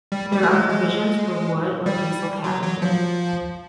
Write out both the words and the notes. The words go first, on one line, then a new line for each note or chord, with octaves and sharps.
There are provisions for wood or diesel cabin heating.
G3
G3
A3
G#3
G#3
G3
F#3
F#3
F3